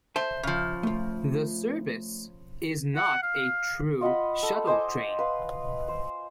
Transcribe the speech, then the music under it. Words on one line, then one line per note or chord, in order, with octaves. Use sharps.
The service is not a true shuttle train.
C5 E5 A5
C#3 F3
A3 F4
F#5
F5
F4 D#5 F#5 B5
A4
C5 D#5 G#5 D6
B4 F5
C5